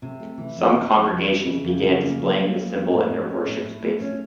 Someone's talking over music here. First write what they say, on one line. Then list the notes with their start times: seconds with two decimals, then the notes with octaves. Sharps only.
Some congregations began displaying the symbol in their worship spaces.
0.02 C3
0.20 A3
0.38 E3
0.56 F2
0.75 C3
0.92 F2
1.10 F2
1.29 E3
1.47 C#3
1.64 F2
1.83 C#3
2.01 A#3
2.19 F#3
2.38 A#3
2.56 A#3
2.73 F2
2.91 A2
3.10 A2
3.29 C#4
3.47 A2
3.65 A2
3.83 A3
4.01 C#4